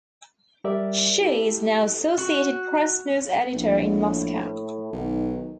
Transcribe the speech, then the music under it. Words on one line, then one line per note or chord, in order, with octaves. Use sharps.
She is now Associated Press news editor in Moscow.
G3 G4 A#4 D5 E5
E4 G4 A4
F#4
A#1 A2
B1 D#3